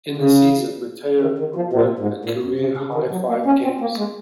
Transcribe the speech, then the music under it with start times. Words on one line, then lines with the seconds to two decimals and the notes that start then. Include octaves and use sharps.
In the season, Mitre won a career-high five games.
0.17 C#3
1.21 D#3
1.39 D#3
1.56 F3
1.73 A#2
1.99 G#2
2.25 A#2
2.43 F#2
2.59 C#3
2.77 C#3
2.94 D#3
3.11 F#3
3.29 A#3
3.46 C#4
3.63 C4
3.81 A#3
3.98 G#3